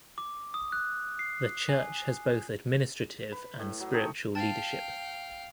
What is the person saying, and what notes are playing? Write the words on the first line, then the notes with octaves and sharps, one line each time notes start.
The church has both administrative and spiritual leadership.
D6
D#6
F#6
C7
G#5
B4
A2
F#3
A3 C4 D#4 C#5
F5 G5 A5 A6